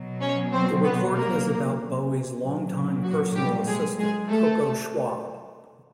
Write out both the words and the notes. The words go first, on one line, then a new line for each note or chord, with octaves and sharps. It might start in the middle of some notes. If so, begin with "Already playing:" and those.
The recording is about Bowie's long-time personal assistant, Coco Schwab.
Already playing: B2 F#3
C#4 C#5
C4 C5
B3 B4
A#3 A#4
A#2 F#3
F#4
G3 G4
G#3 G#4
G#3 G#4
A3 A4